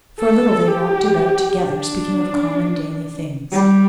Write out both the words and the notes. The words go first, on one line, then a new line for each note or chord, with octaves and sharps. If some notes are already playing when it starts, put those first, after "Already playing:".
For a little they walked about together, speaking of common, daily things.
A4
G4
D4
G3